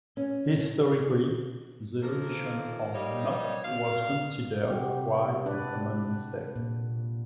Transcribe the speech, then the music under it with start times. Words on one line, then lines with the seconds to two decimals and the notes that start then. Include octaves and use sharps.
Historically, the omission of "not" was considered quite a common mistake.
0.17 C#4
2.02 D#3 F3 A#3 A4 A#4
2.94 G3 A#3 D#4 G4 C#5
3.64 B2 F5
4.69 C3 G3 C4 F#4 G4
5.46 D4 B4 D5
6.56 A#2